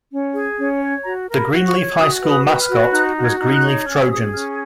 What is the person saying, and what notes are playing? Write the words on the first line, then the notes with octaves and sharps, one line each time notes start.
The Greenleaf High School mascot was Greenleaf Trojans.
C#4
G#4
C#4
C#5
F#4 A#5
A#4
B5
F#4
C#6
C#5
F#4 D#6
B4
D#6
B4
F6
F#4
D#4 F#6
F#4
G#6
D#4
F6
F#6
C#5
C#4 F6
G#4 D#6
C#4 F6